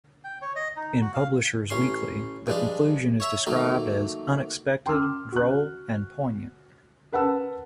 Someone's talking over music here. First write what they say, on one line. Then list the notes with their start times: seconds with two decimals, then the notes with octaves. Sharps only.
In "Publishers Weekly", the conclusion is described as "unexpected, droll, and poignant".
0.24 G5
0.42 C#5
0.56 D#5
0.77 D#4
1.01 F#4
1.14 F5
1.70 A1 C#4 C6
2.47 G2 F3 G#3 D4
3.20 C#5 E5 A#5
3.47 D#3 F#3 A3 A#3
4.86 G5 C6 D6 E6 F6
5.32 F#4 F#6
7.12 A#4 B4 F#5 A5 E6